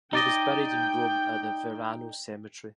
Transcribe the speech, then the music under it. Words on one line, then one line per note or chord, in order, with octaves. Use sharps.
He was buried in Rome at the Verano Cemetery.
D#4 D5 D#5 G5